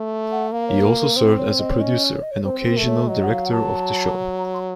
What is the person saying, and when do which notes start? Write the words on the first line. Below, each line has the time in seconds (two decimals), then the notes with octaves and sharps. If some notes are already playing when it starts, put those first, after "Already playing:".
He also served as a producer and occasional director of the show.
Already playing: A3
0.32 F#5
0.52 A#3 F5
0.68 C#5
0.84 A#4
1.00 A#4
1.16 C4 C5
1.38 C#5
1.59 D#5
1.70 C#5
1.80 C#4 D#5
2.12 C#5
2.22 D#5
2.31 C#5
2.45 C4 C5
2.59 C5
2.67 A#4
2.77 A3
2.87 C#5
3.08 F#3 D#5
3.23 F#5
3.31 F5
3.46 F#5
3.51 A5
4.37 A#5
4.54 C6